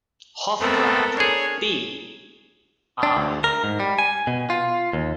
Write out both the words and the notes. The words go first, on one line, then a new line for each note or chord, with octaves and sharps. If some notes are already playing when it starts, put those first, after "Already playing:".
Hoffbrand, B. I.
A3 B3 C4 A4 A#4
D4 G#4 C#5
D4
D2
A#4
G#2
G3
G#5
B2
F4
D#2